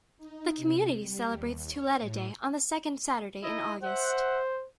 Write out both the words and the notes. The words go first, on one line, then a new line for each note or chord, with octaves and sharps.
The community celebrates Tuleta Day on the second Saturday in August.
D#4
C3
G3
D#2
C#5
A2
D#4 E4 D#5
C5 E5 F#5